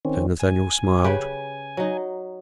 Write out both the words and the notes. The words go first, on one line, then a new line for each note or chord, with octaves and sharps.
Sir Nathaniel smiled.
D#3 C4 C#4
G#5
C#3 G4 B4
F#3 D#4